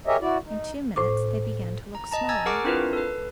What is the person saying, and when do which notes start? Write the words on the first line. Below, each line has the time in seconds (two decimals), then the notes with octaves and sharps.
In two minutes they began to look smaller.
0.07 G4 G#4 A#4 C#5 D#5 E5
0.21 E4 F#4 D5
0.45 D#4
0.96 A2 C5 D6
1.95 A#5
2.11 D#5 A5 A#5
2.29 G#5 A#5 E6 G#6 A6
2.46 G#4 A#4 F#5 C#6 D6 F6
2.64 C4 D4 E4 F4 A#4 B4
2.93 A4 B4